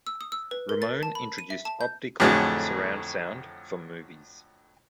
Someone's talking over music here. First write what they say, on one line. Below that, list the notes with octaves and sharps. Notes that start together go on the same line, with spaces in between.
Ramone introduced optical surround sound for movies.
E6
D#6
E6
B4
A#4
A6
A5
B5
D#7
E5
A5
G6
F2 A2 D3 F#3 A3 G#4